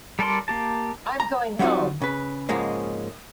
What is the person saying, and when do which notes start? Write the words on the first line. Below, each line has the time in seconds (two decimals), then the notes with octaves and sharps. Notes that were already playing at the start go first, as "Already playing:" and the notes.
I'm going home!
0.19 G3 A4 A#4 D5 C6
0.48 A#3 G4 A5
1.20 A#5
1.59 F#3 G3 C4 D#4 F4 F#4
2.02 C#3 B4
2.49 G#2 C#3 F3 G#3 A#3 C#4